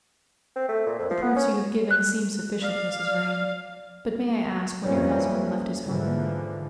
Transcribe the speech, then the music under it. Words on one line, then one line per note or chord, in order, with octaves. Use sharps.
"The proofs you have given seem sufficient, Mrs. Vrain, but may I ask when your husband left his home?"
C4
A3
A#2
F2
F3
B3
C#4
F#6
D5 F5
F2 E3 G3 A#3 C#4
G#2 D3 E3 F3